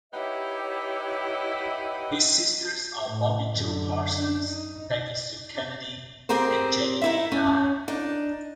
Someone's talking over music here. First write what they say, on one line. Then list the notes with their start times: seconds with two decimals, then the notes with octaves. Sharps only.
His sisters are Bobbi Jo Parsons, Peggy Sue Kennedy, and Janie Lee Dye.
0.13 D#4 E4 G4 B4 C#5 E5 F#5 G5
3.08 A2
3.56 F#2 D3
4.14 D4
4.44 D#4
6.29 C4 G4 G#4 A#4 C5
7.02 D#4 E4 E5
7.32 C#4
7.88 D4 D#4